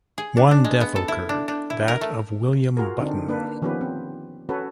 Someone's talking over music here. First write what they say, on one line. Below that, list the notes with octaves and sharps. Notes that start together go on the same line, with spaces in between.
One death occurred, that of William Button.
G#4
D4
D4
G#3
B3
A4
E4
D4
D4
E4
A#4
A3
F4 F#4 G#4 A#4
D3 C4 D4 D#4
A#3 D4 B4
D#3 F3 B3 C#4 G4 B4
C4
C#4 F#4 A4 B4 C#5